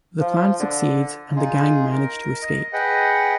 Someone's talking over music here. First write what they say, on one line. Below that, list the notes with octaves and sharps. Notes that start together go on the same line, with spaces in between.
The plan succeeds, and the gang manage to escape.
F3
F3
D3
D#4 F4 G#4
A#4
D#5
G#4 B4 D#5 F#5 G5